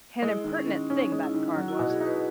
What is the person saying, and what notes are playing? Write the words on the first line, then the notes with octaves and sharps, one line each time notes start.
An impertinent thing, that card was.
G#3 E4
D#3
C#4
D#3
C#4 D#4
G#3
E4
D#3
F#3 F#4
E4
F#4
B2
G#4
D#4
B4